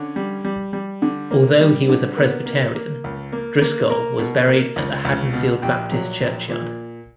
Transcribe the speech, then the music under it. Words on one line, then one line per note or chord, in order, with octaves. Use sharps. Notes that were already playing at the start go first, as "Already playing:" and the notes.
Although he was a Presbyterian, Driscoll was buried at the Haddonfield Baptist Churchyard.
Already playing: D3 C#4
G3
G3
G3
D3
A#3
G3
D3
A#3 B3 B4
A#3
A#3
C#2
A#3
A#3
A#3 A#4 A#5
B2
A#3
C#2
C#2
B2
A#1 G4 G5
F#3
A#1
A#2